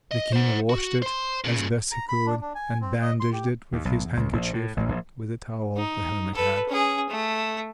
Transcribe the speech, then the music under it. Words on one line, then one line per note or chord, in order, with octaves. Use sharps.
The King washed it as best he could, and bandaged it with his handkerchief and with a towel the hermit had.
D#5
C5 F#5
F#4
C5 C6
A#2 C#3
A#5
B5
D4
D4
G#5
C4
D#5
C6
G4
D#2
B1
E2
C#2
A#1
A2
A1
A#1
D#4
A4 B4
C#4 G#4
A3